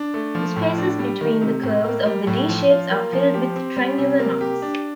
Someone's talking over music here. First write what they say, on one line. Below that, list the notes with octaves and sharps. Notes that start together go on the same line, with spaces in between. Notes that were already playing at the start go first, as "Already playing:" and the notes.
The spaces between the curves of the "D" shapes are filled with triangular knots.
Already playing: D4
A3
F3
A2
D4
G3
D#3
C3
A2
A#3
G3
A2
F3
F4
A#3
F3
G4
C4
G3
C3
A#3
G4
D4